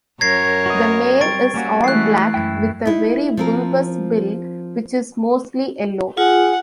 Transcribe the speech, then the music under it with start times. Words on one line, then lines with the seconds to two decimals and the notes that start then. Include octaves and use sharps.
The male is all black with a very bulbous bill which is mostly yellow.
0.21 F#2 A#4 C#5 G#6 A#6 C7
0.66 F#4 B4 D#5
1.21 G3 C4 C#6 A6 D7
1.54 G3 A#3 C#4 F#4
1.84 E3 G#3 A3 F#6 C7
2.34 F#2 E4 G5
2.85 D#4 E4
3.37 F3 C4 A#4
6.17 F4 G#4 F#5